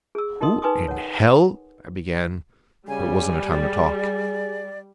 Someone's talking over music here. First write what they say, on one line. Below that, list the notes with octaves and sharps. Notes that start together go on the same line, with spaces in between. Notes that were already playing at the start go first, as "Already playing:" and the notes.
"Who in Hell ..." I began; but it wasn't a time to talk.
G#4 E6
D#4 G4 A#4 D#5 C6 D#6
D#4 B4 G#5 C6 D6 D#6
C#5 F#5
C#3 G3 G#5
G#4 D5